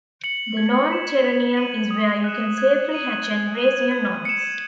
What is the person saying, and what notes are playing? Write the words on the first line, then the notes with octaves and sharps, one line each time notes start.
The Norn Terranium is where you can safely hatch and raise your norns.
C#7 F#7
G#6
B6 E7
G#6
D#7 F#7
D#6
F#6 C#7 E7
G#6
D#7 F#7
G#6
D#7 F#7
G#6
C#7 E7